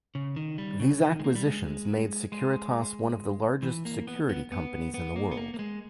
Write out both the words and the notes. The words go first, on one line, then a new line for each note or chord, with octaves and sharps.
These acquisitions made Securitas one of the largest security companies in the world.
C#3
D#3
G3
C#3
D#3
G#3
A#3
G3
G#3
G#3
E3
A#3
B3
B3
B3
B3
A#3
B3
A#3
A#3
G#3